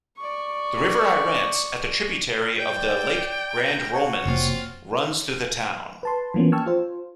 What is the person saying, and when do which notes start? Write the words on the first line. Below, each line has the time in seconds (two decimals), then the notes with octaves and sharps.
The river Irance, at tributary of the lake Grand Romans, runs through the town.
0.18 D5 C#6
2.59 D5 G5
3.56 A#5
3.94 F#4 C#5
4.26 F1 B2 A#3 C4 F4
6.03 B4 A5 C6
6.34 E3 F3 A#3 B3 C#4
6.52 G5 A5 C#6 E6 F6 G#6
6.66 F4 C5